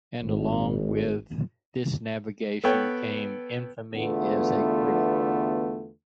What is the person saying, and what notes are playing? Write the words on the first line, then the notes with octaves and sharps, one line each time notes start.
And along with this navigation came infamy as a critic.
G#1
B3 A4 B4 C#5 G5
E2 D3 A3 B3 F4